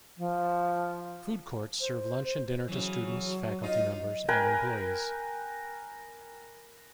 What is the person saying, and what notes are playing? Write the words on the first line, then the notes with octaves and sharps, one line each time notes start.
Food courts serve lunch and dinner to students, faculty members, and employees.
F3
C5
C#3 E3 F#3
D#4 F4 D#5
A#4 B4 G5 G#5